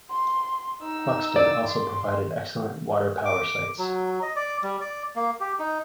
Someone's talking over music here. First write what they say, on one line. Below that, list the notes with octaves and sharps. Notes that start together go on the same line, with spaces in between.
Buxton also provided excellent water power sites.
C6
D#4 E6
D5
C6
D6
F#3
D#5
D5
G3
D5
A#3
G4
D#4